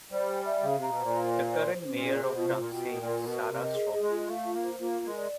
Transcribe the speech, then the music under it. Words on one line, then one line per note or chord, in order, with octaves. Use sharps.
The current mayor of Ramsey is Sarah Strommen.
G3 C5
G#5
E5
C#3 F5
C3 A#5
B2
C5
A#2
F5
C5
C5
C5
C#4
A#2
G#4
C3 C5
B2 F4
C3
A#2 F4
B2 G5
A#4
A#2
A#4
B2 A#4
A#4
C3
D#5
G#4
G#4
G#3
F4
A3 F5
F4
A#3
C5
A#3 F4
A#4
G#3
D5